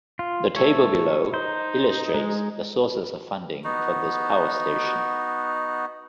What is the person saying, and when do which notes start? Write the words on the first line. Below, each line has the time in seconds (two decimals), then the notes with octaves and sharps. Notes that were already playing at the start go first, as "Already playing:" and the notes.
The table below illustrates the sources of funding for this power station.
0.19 F4
0.56 A3 C#5
1.34 D#4 C5
2.14 G#3
3.64 B3 D#4 F#4